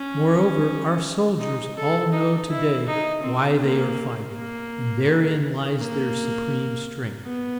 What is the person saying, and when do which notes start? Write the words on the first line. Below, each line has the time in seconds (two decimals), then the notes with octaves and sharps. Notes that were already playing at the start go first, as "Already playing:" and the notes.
Moreover our soldiers all know to-day why they are fighting, and therein lies their supreme strength.
Already playing: C#4
1.39 D#4
1.75 A4
2.12 D#4
2.49 E4
2.86 D#4
3.22 C4
3.59 A#3
4.31 A#3
5.78 A#3
7.25 B3